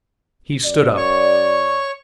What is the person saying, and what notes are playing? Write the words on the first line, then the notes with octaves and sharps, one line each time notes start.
He stood up.
F#2 D5
C#5 C#6